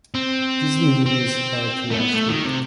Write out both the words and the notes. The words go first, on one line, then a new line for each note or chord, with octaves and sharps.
This movie's hard to watch now.
C4
C4
A3
B3
A3
D#3
C3